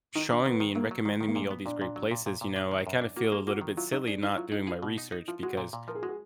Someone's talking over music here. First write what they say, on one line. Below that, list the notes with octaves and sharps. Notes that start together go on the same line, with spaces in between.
showing me and recommending me all these great places, you know, I kinda feel a little bit silly not doing my research because
D#3 D#4
D#3 D4
D#3 B3
D#3
F#3 A#3
F#3
D#3 G#3
D#3
A#3
A#2 G#3
B3
A#2 D4
A#2
F#3
A#2
A#2
A#2
D4
D#3
F#2
D4
A#3 F#4
A#3 G#4
A#3 F#4
D#3
F#3 F4
F#3 D#4
D4 G#4
D#4 G#4
F#3 F4
D#4 G#4
F4 G#4
B2
D#4
D#4
F3 F4
G#3 F#4
A#2
A#2
F3 A#4
G#4
G#3 F#4
G#4